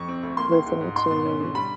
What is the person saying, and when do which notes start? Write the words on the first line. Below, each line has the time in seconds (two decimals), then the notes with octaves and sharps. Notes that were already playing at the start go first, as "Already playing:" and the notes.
listening to,
Already playing: F2 C#6
0.08 C4
0.23 D2
0.37 A#3 C6
0.52 C#2
0.66 G#2
0.81 G#2
0.96 D#4 C6
1.11 B2
1.26 C#4
1.40 D3
1.55 G3 B5